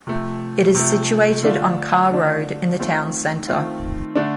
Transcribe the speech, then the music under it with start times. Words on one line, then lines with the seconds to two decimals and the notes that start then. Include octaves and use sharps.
It is situated on Carr Road in the town centre.
0.07 C3 F3 A3
0.75 C3 F3 A3
1.43 D3 A3 D4 F4
2.11 D3 A3 D4 F4
2.79 D#3 A3 C4 F4
3.47 D#3 A3 C4 F4
4.15 D3 A3 D4